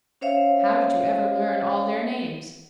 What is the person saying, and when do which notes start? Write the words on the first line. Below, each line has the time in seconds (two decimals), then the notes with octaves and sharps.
"How did you ever learn all their names?"
0.21 C#4 C5 C#5 E5 F5